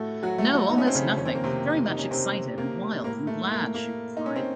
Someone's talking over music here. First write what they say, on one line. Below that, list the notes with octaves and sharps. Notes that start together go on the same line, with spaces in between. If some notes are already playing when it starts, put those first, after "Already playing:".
'No, almost nothing — very much excited, and wild, and glad!’ she replied.
Already playing: A2 A3 F#4 A4
F#3 F#4
A3 A4
F#3 F#4
D#4
C#4
C4
C#3 C#4
F2 D#3 C#4
C4
A#3
C3 C4
D#4
C#4
C3 C4
A#3
A2 A#3
A3
A#3
A#3
D#4
C#4
C4